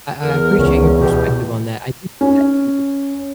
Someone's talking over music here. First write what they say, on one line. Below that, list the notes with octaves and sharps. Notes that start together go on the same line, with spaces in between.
I I appreciate your perspective on that; I think that the
E2 A#4
C#2 C#4
B2 G4
C#4